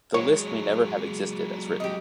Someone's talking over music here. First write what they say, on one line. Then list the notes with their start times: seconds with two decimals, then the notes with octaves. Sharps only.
The list may never have existed as written.
0.14 F#3 G#3 C#5
1.80 G4 D#5